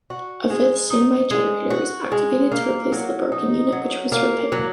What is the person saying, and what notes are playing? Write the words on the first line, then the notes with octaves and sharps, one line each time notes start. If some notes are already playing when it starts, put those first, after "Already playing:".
A fifth standby generator was activated to replace the broken unit, which was repaired.
F#4
G#3
D#4
G#3
F#4
G#3
A#3
F#3
D#4
F#3
A#3
F#3